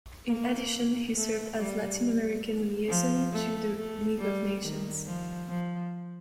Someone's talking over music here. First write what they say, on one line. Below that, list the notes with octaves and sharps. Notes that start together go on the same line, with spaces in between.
In addition, he served as Latin American Liaison to the League of Nations.
A#3
A3
G3
F3
A3
A3
G3
D#3
F3
F3